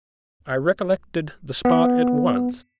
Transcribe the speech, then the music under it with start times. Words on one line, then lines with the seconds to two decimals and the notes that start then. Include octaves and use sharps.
I recollected the spot at once.
1.65 B3